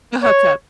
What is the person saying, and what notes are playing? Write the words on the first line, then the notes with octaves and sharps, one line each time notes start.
A hookup.
C#5